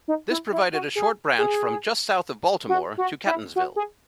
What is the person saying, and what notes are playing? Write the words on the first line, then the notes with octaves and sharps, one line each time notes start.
This provided a short branch from just south of Baltimore to Catonsville.
D#4
E4
E4
F#4
G#4
G#4
F#4
F#4
E4
F#4
G#4